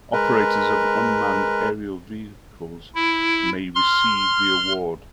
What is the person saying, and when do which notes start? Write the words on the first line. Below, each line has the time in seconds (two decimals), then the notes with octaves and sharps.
Operators of Unmanned aerial vehicles may receive the award.
0.13 G#3 A#4 B4
2.95 E4
3.75 C6 F6